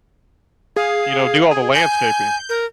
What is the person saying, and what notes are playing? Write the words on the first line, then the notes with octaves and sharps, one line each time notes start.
you know, do all the landscaping.
G#4 F5
G#4
G#5 G6
A#4